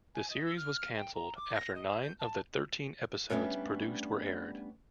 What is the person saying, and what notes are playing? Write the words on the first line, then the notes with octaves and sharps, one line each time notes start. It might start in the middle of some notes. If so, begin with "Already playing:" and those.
The series was canceled after nine of the thirteen episodes produced were aired.
G#5
D#5
E6
F6
G5
A#5
D6
A#6
D#5
D#5
G6
A5
G3 A3 B3 C#4 D4